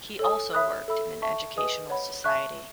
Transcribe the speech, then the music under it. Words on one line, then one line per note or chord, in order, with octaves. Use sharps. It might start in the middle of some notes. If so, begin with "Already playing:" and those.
He also worked in an educational society.
A4 C#5 G#5 D#6
C#5 E5 B5 D#6 F#6
A4 E5 B5 E6
E5 A5 C#6
G#4 B4 D#5 G#5 D#6
C#5 F#5 B5
E5 A5 C#6 F#6